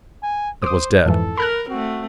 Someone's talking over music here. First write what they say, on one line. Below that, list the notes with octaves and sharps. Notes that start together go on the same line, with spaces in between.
It was dead.
G#5
C5 D6 D#6
F2 G#2 E3 A4
A#4 B5 F6 F#6
A3 C4 F#4